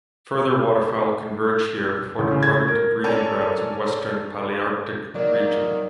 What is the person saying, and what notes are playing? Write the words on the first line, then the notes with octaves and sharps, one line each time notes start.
Further waterfowl converge here before departing to breeding grounds in western Palearctic region.
A1
C#3
G#6
A#4
C#4 A4 A#4 D5 G#5
D#3 F#3 A#3 D5